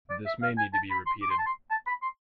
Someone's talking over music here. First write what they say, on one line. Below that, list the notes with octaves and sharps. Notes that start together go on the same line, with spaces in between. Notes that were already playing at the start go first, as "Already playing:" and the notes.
This may need to be repeated.
D5
E5
F5
G#5
A5
B5
C6
D6
C6
A5
C6
A5
B5
C6